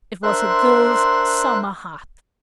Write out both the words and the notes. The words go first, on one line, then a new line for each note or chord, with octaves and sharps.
It was a girl's summer hat.
D4 A#4 C5 E5 C6 F#6